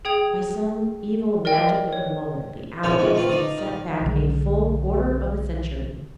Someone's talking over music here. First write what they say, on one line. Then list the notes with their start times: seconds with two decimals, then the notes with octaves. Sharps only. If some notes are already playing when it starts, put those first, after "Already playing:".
By some evil magic of the moment, the hour seemed set back a full quarter of a century.
0.05 G#4 G5 D#6 G#6 F7
1.45 A#4 D5 D#5 G5
1.93 C#5
2.83 C2 D3 F3 D4 C#5 A5
2.98 A#1 F2 D#3 E3 G#3
3.15 A3 C4 F4 B4
3.29 D#4 D5 F5 D#6
3.58 D#3
4.01 B1 D3 D#3 G#3